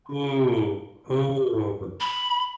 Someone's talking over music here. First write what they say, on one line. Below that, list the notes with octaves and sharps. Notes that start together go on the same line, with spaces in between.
Ooh. Ooh.
B5